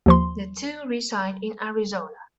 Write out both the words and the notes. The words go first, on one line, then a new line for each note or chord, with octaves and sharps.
The two reside in Arizona.
D#2 F3 C6